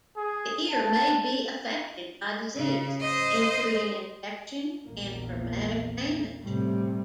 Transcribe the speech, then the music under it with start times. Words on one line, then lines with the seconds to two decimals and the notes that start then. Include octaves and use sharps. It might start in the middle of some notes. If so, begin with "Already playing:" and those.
The ear may be affected by disease, including infection and traumatic damage.
0.17 G#4
0.71 A5
2.56 C#3
3.01 C5 D#5
4.84 A#1 E2 A#3
6.43 A2 C3 G3